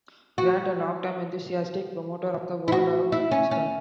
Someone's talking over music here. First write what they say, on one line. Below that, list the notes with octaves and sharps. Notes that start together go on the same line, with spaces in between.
Grant, a long-time enthusiastic promoter of the Word of Wisdom.
F#4
E4
F#4
E4
C#4
C#4